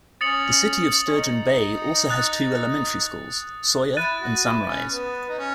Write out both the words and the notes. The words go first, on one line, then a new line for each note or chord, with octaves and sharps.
The city of Sturgeon Bay also has two elementary schools: Sawyer, and Sunrise.
C#4 D#6 A6 C#7 F#7
C#4
D#4
D#6 F#6 A6
E4 F#6 A6 D#7
F#4
E4
C#4
B3
D#4
C#4